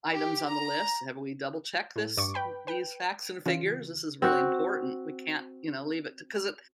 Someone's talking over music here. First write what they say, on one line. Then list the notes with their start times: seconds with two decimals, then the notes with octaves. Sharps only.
items on the list. "Have we double checked this these facts and figures? This is really important. We can't, you know, leave it t" 'Cause it
0.12 G4
0.45 A#5
1.96 A2
2.17 G2 D5 C#6 D6
2.34 B4 G5 B5
2.67 B4 G5
3.46 C#3 E3 F4
4.22 C4 F#4